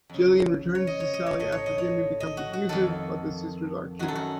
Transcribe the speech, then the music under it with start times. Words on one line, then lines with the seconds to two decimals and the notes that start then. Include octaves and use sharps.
Gillian returns to Sally after Jimmy becomes abusive, but the sisters are kidnapped.
0.09 F2 C#3
0.75 C#5
0.87 D#5
1.00 C#5
1.14 D#5
1.26 C#5
1.40 A2 D#5
1.52 C#5
1.66 D#5
1.78 C#5
2.20 D#5
2.37 F#4
2.53 F#4
2.69 F2 D#3 A4
3.99 F#2 D#3 F#4
4.08 A4
4.15 F#4